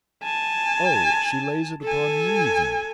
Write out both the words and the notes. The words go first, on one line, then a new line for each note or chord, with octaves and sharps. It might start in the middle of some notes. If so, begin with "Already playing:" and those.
'Oh!--She lays it upon me, then?'
G#5 A5
A4 G#5